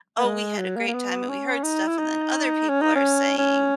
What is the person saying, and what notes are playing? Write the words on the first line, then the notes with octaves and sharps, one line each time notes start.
"Oh, we had a great time, and we heard stuff," and then other people are saying,
A#3
G#3
F#3
A#3
A#3
B3
C#4
D#4
E4
D#4
C#4
D#4
C#4
C#4